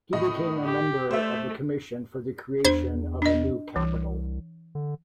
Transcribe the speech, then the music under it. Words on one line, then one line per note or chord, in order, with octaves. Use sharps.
He became a member of the commission for the creation of a new capital.
A2 D#5 D#6
G4
A3 C5 E5
E2 D4 C5 G#6
D4 D#5
C2 E3
D3